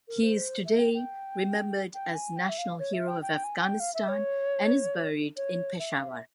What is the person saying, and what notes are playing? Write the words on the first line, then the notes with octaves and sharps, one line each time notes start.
He is today remembered as National Hero of Afghanistan and is buried in Peshawar.
A#4
C5
E5
G5
G5
G5
G#5
G5
E5
F5
C#5
E5
G5
G5
G#5
G#5
G5
F5
E5
C#5
C#5
E5
F5
E5